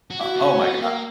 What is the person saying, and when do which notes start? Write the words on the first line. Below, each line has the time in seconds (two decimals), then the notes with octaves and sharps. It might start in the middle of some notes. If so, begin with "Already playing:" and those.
O oh my God.
0.10 F#4
0.21 E4 F#4
0.36 B3
0.41 C#4
0.61 B3
0.81 A#3 A#4